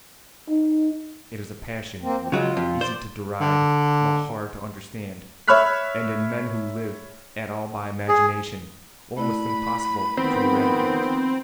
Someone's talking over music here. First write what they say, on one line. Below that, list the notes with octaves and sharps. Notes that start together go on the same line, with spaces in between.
It is a passion easy to deride but hard to understand, and in men who live at all by imagination almost impossible to eradicate.
D#4
A#3 C4
F#2 F3 C4
C#3 F#3 G#3 F4
F2
C5 D5
D3
C#5 E5 B5 F6 F#6 B6
G#4
A3 E4 D5 B5
D#3 F3 B3 C4